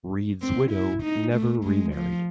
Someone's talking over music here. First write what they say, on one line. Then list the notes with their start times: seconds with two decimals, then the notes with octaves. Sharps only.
Reid's widow never remarried.
0.42 C4
0.71 E4
1.03 D#4
1.34 A3
1.64 G#3
1.95 F3